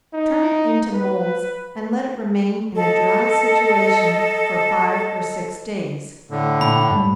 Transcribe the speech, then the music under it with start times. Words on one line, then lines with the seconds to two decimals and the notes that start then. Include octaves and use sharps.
Turn it into moulds, and let it remain in a dry situation for five or six days.
0.14 D#4
0.94 B4
2.75 A4 D#5
6.31 A2 D3
6.61 A#2 D4 G5 B5
6.90 G#2 G3 A3